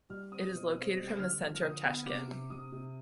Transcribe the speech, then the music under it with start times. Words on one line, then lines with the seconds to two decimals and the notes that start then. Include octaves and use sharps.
It is located from the center of Tashkent.
0.10 G3 F6
0.31 C4 D#6
0.53 B2
0.75 C4
0.96 G3
1.18 D3 F6
1.41 F3
1.55 F6
1.62 D3 D#6
1.84 B3
2.06 C3 D6
2.28 C3
2.50 C3 D#6
2.72 C3